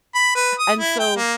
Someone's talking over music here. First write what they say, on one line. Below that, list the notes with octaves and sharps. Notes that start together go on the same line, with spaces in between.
and so,
B5
B4
D#6
E4
G5
A#3